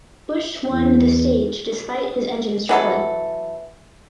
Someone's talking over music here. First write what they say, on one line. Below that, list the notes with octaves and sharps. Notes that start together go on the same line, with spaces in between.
Busch won the stage despite his engine struggling.
E2
E3 F#3 A4